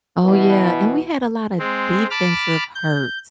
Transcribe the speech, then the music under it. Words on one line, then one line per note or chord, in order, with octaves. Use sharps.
Oh, yeah, and we had a lot of defensive hurt.
B2 E3
G#3 C4
A5 B5 D6 F6
G6